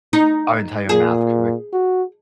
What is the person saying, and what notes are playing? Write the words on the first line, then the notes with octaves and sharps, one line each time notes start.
our entire math curric
D#4
A#2 G#4
F#4